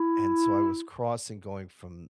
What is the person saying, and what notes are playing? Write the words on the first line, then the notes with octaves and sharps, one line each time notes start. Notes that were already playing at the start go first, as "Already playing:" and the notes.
and so I was crossing going from
Already playing: E4